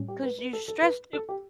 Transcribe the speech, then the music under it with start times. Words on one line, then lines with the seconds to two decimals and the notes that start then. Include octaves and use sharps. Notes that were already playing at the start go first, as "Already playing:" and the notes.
'Cause you stress too
Already playing: A2 G3 C#4
0.08 G4
0.23 B4
0.38 B4
0.53 A4
0.68 A4
0.82 B4
1.13 A4
1.29 G4